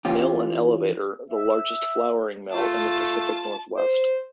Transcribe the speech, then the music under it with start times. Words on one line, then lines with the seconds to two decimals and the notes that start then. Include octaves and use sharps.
Mill and Elevator, the largest flouring mill in the Pacific Northwest.
0.05 E3 C#4 F4 G4
1.30 E5
2.52 A3 F4 A5
3.77 C5